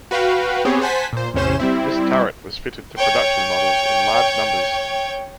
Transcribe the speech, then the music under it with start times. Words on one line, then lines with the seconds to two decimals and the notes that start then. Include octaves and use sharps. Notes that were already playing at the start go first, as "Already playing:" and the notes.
This turret was fitted to production models in large numbers.
0.11 F#4 B4 F5 G5
0.65 B3 C4 G4 G#4 C#5
0.81 C5 F#5 G#5 A5 B6
1.13 A#2 C5
1.34 A1 E2 C3 C#4 C5 E7
1.60 G3 C4 E4
2.97 C#5 G5